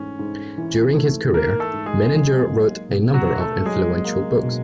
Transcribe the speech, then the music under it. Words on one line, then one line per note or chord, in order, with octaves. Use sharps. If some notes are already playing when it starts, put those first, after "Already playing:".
During his career, Menninger wrote a number of influential books.
Already playing: G#2 E3 A3 C#4
G#2
E3
A3
G#2 A#3 A#4
A3 A4
G#2
G#3 G#4
F#3
A#3
B2
F#3 F#4
D4
A3 A4
F#3 G#3 G#4
A#3
B2